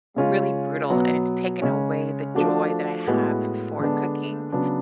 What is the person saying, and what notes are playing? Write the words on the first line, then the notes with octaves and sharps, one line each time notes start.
really brutal, and it's taken away the joy that I have f for cooking,
C#3 G#3 C#4 F4
B2 F#3 B3
C#3 G#3 C#4
F3 A3 D4 F#4
A2 G#3 B3 F#4
D3 G#3 B3 D4
C#3 F#3 B3 D4